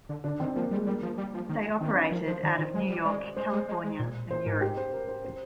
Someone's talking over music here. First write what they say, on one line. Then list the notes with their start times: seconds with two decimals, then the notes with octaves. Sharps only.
They operated out of New York, California and Europe.
0.09 D3
0.24 D3 D4
0.40 D#3 C4
0.56 F3 A#3
0.71 G3 G#3
0.86 G3 A#3
1.02 F3
1.18 G3
1.34 F3
1.49 D#3
1.81 D#3 C4
1.96 D4
2.12 F3 A#4
2.27 F3 C5
2.43 D#3 D5
2.59 D#3 C5
2.74 G#3 C5
2.90 G3
3.05 G#3 D5
3.36 G#3 C5
3.53 G#3
3.69 G#3
3.84 G#3
3.99 A#2
4.31 A#2 C5
4.46 G#2 A#4
4.61 G4
4.77 C5
4.93 A#4
5.09 C5
5.25 C5